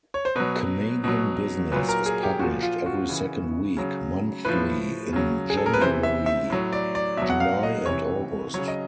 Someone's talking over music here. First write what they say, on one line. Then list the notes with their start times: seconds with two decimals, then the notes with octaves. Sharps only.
"Canadian Business" is published every second week, monthly in January, July and August.
0.14 C#5
0.25 C5
0.35 B2 F#3 B4
1.04 B2 F#3
1.72 A#2 B4
1.76 F#3
1.89 A#4
2.06 G#4
2.23 G4
2.40 A#2 F#4
2.43 F3
2.63 F4
2.86 F#4
3.08 C#3 E3
3.77 C#3 F#3
4.45 A2 F3 B4
5.13 C#3 F#3
5.50 G#4
5.57 A4
5.66 A#4
5.74 B4
5.81 C3 E3 C5
6.03 E5
6.26 E5
6.50 A2 F#3
6.73 D5
6.95 D5
7.17 B2 E5
7.22 F#3
7.30 F#5
7.40 F5
7.63 D#5
7.86 C3 E3 C#5
8.54 F#3 C#5
8.58 C#3
8.68 D#5